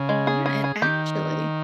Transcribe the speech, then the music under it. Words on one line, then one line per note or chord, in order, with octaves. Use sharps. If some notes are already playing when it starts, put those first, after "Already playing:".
Yeah. And, actually"
Already playing: C#3
G#3
G#4
G#4
G#4
D#3 G4